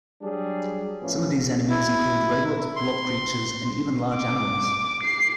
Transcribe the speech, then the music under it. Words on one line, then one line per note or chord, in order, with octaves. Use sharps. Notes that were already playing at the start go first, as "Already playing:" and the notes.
Some of these enemies include robots, blob creatures, and even large animals.
F#3 G3 D4 G#4
A2 F3 B3 C#4
E4
C6
D6
C7